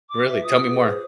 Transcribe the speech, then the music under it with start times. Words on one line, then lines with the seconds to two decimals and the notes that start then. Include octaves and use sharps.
Really? Tell me more.
0.09 D6
0.28 B4 E5
0.43 F4 D#6
0.69 G#4 B4
0.86 C5